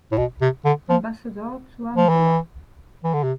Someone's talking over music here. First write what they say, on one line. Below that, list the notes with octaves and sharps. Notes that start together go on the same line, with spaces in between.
Ambassador to Angola.
A2
B2
C3
D3
F3
F3
E3
E3
D3
C3